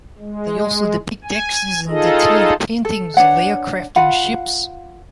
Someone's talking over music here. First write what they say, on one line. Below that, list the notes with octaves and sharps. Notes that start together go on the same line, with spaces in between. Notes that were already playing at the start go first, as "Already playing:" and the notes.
They also depict axes, and detailed paintings of aircraft and ships.
G#3
G#5
D#4 F4 G#4 A4 D#5
A4
D4 B4 C#5 F#5
F4 F5 F#5 B5